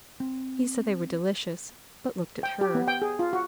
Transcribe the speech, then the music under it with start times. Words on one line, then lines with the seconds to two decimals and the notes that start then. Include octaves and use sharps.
He said they were delicious, but looked at her.
0.20 C4
2.43 G5
2.61 G4
2.75 B3
2.88 G5
3.02 G#4
3.19 F4
3.33 F#4